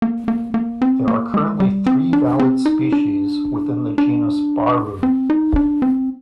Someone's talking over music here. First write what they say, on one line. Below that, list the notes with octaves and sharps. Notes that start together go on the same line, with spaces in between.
There are currently three valid species within the genus "Baru".
A#3
A#3
A#3
C4
A#3
G#3
G3
C4
D4
C4
D#4
D4
D4
C4
D#4
D4
C4